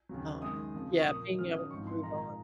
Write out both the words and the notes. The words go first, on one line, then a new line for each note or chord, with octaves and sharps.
um, yeah, being able to move on.
D#2 C#3 F#3
F#2 D#3 G#3 D#6
F2 C#3 F3
C#6
A#2 F3 A#3 D#6
F#2 D#3 F#3 C#4 F6
D#6
G#2 F3 C4 D#4 C#6
C6
A#2 F3 G#3 D#4 A#5